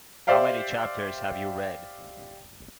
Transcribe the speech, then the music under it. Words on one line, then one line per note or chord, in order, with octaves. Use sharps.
How many chapters have you read?
G4 C5 D5 E5 F5 G5